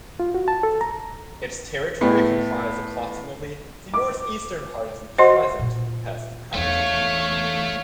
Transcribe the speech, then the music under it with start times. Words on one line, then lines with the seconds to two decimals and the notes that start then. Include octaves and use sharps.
Its territory comprised approximately the north-eastern part of present Pest County.
0.20 F4
0.35 F#4
0.48 A5
0.63 A4
0.81 A#5
2.01 A2 B3
3.94 D6
5.18 F#4 C5 D#5 C6
5.59 A#2 F4
6.54 E2 E3 A3 C#5 F5